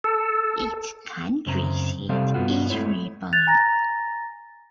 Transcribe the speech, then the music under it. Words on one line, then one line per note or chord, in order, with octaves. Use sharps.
Its county seat is Ripley.
A4
F#2 C#3 C4 A#5
C3 G3 C4 G4 A4 F5
G2 B3 F4 F#4
G#3 A3 C4 E4 C#5
F#6 G#6 A6 F7
G#5 A#5 A6 A#6